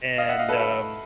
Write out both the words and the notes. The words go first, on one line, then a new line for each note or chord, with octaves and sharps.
and, um,
D#5 F5
E5 F#5
D#5 F5
A4 B4
A4 B4